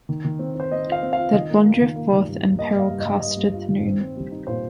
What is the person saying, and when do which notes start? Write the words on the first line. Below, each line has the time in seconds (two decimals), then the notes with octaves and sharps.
That blondreth forth and peril casteth noon.
0.09 D#3
0.24 D#3
0.39 C4
0.55 C4 C5
0.71 C4 D#5
0.87 F4
0.92 F5
1.03 C4
1.13 F4 F5
1.33 D#3 D#5
1.50 A#3
1.64 A#3
1.81 D#3
1.96 A#3
2.13 D#3
2.28 G2
2.43 G2
2.59 A#3 D#5
2.75 G2 F5
2.90 G2
3.00 D#5
3.05 G2
3.21 G2 D#5
3.37 G2
3.54 F4
3.69 D#3
3.84 C4
4.01 C4
4.16 G3
4.31 D#4
4.47 A#2 C5